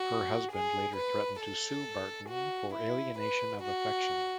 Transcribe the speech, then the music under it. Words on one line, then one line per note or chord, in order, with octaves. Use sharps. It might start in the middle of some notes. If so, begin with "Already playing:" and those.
Her husband later threatened to sue Barton for alienation of affection.
Already playing: F#4
G#4
B4
A4
F#4
E4
B4
F#4